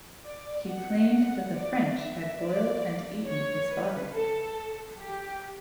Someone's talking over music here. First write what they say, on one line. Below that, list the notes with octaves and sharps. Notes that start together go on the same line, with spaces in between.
He claimed that the French had boiled and eaten his father.
D5
F#5
F#5
D5
E5
D5
C#5
B4
A4
G4